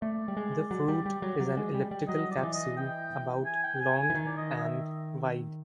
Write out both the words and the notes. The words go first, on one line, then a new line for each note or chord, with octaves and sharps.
The fruit is an elliptical capsule about long and wide.
A3 D5
G3
G#3
F#3
G3
G3
F#3
F#3
G#3
G3
G3
F#3 D#5
D5
F3
E3
D#5
G5
G#5
G5
G#5
G#5
E3
D#3
D5
D#5
E5